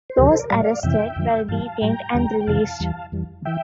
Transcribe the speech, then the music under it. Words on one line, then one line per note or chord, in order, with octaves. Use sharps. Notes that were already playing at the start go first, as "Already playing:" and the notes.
Those arrested were detained and released.
C5
D2 C3 F3 G4 A#4
A4 C5
A#4 D5
A2 G3 D5 F5
F2 C3 E3 E5 G5
F2 D3 F3
G2 E3 G3 F5 A5
A2 G3 G5 A#5
E2 D3 G3
G5
F2 C3 E3 F5 A5
E2 E3 G3
F2 E3 G3
E3 E5 G5